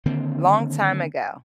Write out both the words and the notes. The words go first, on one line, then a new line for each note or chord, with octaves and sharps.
Long time ago.
D3 D#3 A#3 C4